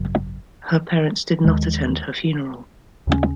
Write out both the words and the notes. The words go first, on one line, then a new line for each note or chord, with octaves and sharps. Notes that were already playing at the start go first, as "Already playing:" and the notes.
Her parents did not attend her funeral.
Already playing: G#1 F#2 C#3 F#3
D#2 D#3 G#3
D#2 C#3 G#3 C#4